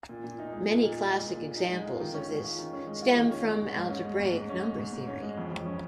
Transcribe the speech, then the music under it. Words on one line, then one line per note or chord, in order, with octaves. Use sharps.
Many classic examples of this stem from algebraic number theory.
A#2
A#2
D#4
G#3
A#2
A#2
D#4
G#3
A#2
A#2
D#4
G#3
F4
D#3
C#4
G#3
F4
D#3
C#4
G#3
F4
D#3
C#4
G#3
G#2
G#2
C#4
G#3
G#2
G#2
C#4
G#3
G#2
G#2
C#4
G#3
F2
F2
C#4